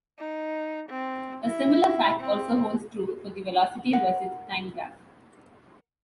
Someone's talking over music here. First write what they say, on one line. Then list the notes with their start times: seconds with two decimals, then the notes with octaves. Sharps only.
A similar fact also holds true for the velocity versus time graph.
0.19 D#4
0.90 C4
1.44 E4
2.20 C4
3.93 A#4 F#5